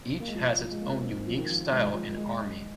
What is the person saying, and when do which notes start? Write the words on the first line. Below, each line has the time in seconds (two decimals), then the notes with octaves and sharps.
Each has its own unique style and army.
0.20 A#3
0.28 G#3
0.35 F3
0.58 F3
0.71 G#3
0.81 A#3
1.03 C4
1.27 F3
1.38 D#3
1.49 F3
1.71 G#3
1.94 F3
2.17 G#3